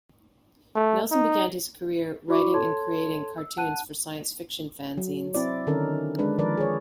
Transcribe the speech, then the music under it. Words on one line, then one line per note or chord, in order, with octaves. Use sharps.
Nelson began his career writing and creating cartoons for science fiction fanzines.
A3
D#4
E4 F#4 D5 B5 C#6 D6
A4 C#5 A5 C6 G#6
E6
F#5 A5 F#6 D#7
F#3
C4 E4 D5
D3 D#3 C#4 D#4 A4 A#4
G#3 D4 B4
D#3 F3 A#4 B4 D5
G#4 C#5